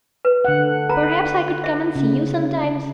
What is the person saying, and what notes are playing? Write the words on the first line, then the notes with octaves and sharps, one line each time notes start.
Perhaps I could come and see you sometimes.'
B4
D3 F#5
B4 A#5
E5
C#3